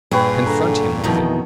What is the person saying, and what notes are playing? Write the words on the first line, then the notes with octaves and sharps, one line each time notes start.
"Confront him with it."
G2 A#2 G#4 B4 C#5 G5
D3 A#5
F2 B2 D#3 E3